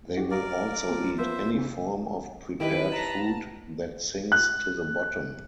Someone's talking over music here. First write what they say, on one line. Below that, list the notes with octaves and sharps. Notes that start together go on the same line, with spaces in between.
They will also eat any form of prepared food that sinks to the bottom.
F#4 G4
A#4 D5 F5
F3 A3 C4
F3 A#3 B3 C5 E5
D2 C#3
D#3 E4 G4 B4 D#5 D7
A5 A#5
F#6